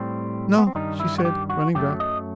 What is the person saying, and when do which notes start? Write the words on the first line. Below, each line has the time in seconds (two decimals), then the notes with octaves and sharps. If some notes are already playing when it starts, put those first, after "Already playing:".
"No," she said, running back.
Already playing: A2 G3 C4
0.58 B3
0.67 C4
0.75 G2 D#3 G3 D#4
1.00 E4
1.18 F#4
1.25 G4
1.49 F#4
1.75 F#2 F#3 A3 G4
2.00 D#5